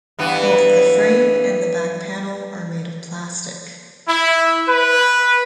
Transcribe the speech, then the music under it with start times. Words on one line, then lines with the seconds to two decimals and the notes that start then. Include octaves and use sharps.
Both the frame and the back panel are made of plastic.
0.19 G2 E3 B3
4.08 E4
4.68 B4